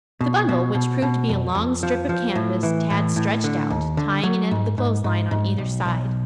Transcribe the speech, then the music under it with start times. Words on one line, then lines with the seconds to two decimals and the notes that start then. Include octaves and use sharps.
The bundle, which proved to be a long strip of canvas, Tad stretched out, tying an end of the clothes line on either side.
0.21 B2
0.49 B2
0.75 B2
1.02 B2
1.29 F2
1.55 F2
1.83 F3
2.09 F3
2.35 A2
2.63 E3
2.90 A2
3.16 A2
3.44 D3
3.70 D#2
3.97 D3
4.23 F#3
4.51 G#2
4.78 G#2
5.04 G#2
5.31 G#2
5.58 B1
5.85 B1